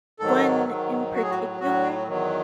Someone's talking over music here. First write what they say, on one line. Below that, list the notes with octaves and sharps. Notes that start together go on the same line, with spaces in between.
one in particular,
G#2 D#3 F#3 A4
G#2 D#3 F#3
F#3 F#4
A2 G#4
F#4
A2 F#3 F#4
E2 D#3 F#3